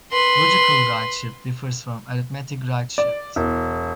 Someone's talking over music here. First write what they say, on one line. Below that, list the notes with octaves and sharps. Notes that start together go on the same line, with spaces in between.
Logical right shift differs from arithmetic right shift.
B4 C6
D5
E1